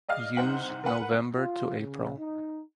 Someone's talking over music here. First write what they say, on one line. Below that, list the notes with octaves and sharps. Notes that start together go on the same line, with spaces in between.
Use November to April.
D5 D#5 F5 F6
C2 D#4 C5 F#5 F#7
A#4 B4 F#5
F4
C#3
D#4